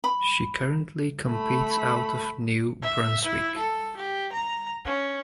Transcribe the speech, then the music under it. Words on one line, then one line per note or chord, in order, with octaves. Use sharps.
She currently competes out of New Brunswick.
B5
A3 B5
E5
E4
A4
G4
A#5
C#4